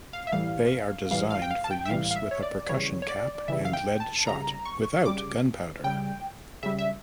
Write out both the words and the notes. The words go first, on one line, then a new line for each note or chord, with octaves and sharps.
They are designed for use with a percussion cap and lead shot, without gunpowder.
F5
E5
A2 E3 G3 F5
A2 E3 G3 F5
F5
G5
F5
A5
G5
E5
A2 E3 G3 F5
F5
E5
C#5
D5
C#3 E3 G3 C#5
C#5
D5
C#3 E3 G3 E5
F5
G5
A5
C#3 G3 A#5
C#6
C#3 G3 D6
C#3 G3 G5
C#3 G3 E5
E5